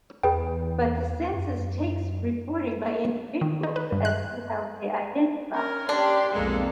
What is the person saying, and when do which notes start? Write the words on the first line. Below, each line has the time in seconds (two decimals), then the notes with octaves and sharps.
But, the Census takes reporting by individuals as to how they identify.
0.23 E2 G#4 B4 G5
1.34 F#2
3.41 D#3
3.63 D#4
3.76 B4
3.92 G2
4.05 F#6
5.54 C#4 A#4
5.89 D4 G4 D5 C6
6.34 B1 F2 G#3 A#3 A4